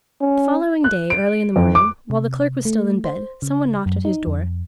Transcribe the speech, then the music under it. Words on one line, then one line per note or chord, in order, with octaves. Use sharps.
The following day, early in the morning, while the Clerk was still in bed, someone knocked at his door.
C#4
F#6
D7
F2
D6
C3
A3
C5
C#3
F#2
D#4
F2